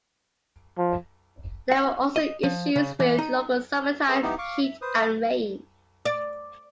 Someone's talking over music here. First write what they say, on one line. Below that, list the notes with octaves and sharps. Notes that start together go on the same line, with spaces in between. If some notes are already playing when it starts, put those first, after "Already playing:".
There were also issues with local summertime heat and rain.
F3
F#5
D#5
F3
C#3
E3
D#4
G#4 A4 B4 E5 A5
B3 D#4 E4 G4
F5 C#6 D6
E5
B4 C5 D#6
A3 F5 A5 B5 D#6
D5